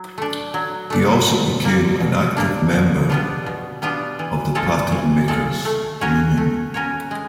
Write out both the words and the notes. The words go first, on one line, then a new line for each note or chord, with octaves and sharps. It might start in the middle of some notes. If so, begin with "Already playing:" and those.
He also became an active member of the Pattern Makers Union.
Already playing: F#3
A3 D4
F#3
A3 D4
B2
G3 A#3 D4
B2
G3 A#3 D4
B2
G3 B3 D4 F4
B2
G3 B3 D4 F4
E3
G#3 C4 F4 A4
E3
G#3 C4 F4 A4
A3
C#4 F#4 A#4 C#5
A3
C#4 F#4 A#4 C#5
G#3